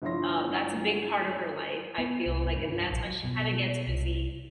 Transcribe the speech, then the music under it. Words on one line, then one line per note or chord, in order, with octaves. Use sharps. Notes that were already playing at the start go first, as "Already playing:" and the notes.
uh, that's a big part of her life, I feel like and that's why she kinda gets busy
G1 F3 E4 C#5 C6 A#6
B3
C2
G2
A#1
F#3
B2
C2